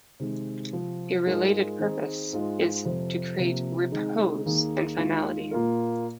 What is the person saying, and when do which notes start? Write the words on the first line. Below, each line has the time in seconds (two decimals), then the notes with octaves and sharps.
A related purpose is to create "repose" and finality.
0.20 C3 D#3 G#3
0.73 C3 F3 C4 F4
1.26 G#2 G#3 F4 A#4
1.79 D#3 C4 D#4 G#4
2.33 G#2 G#3 F4
2.85 F2 C3 F3
3.39 C3 F3 A#3
3.92 C3 D#3 G#3 D#4 G#4
4.45 D#2 D#3 A#3 G#4
4.98 D#2 D#3 G#3 F4
5.51 A#2 A#3 F4 A#4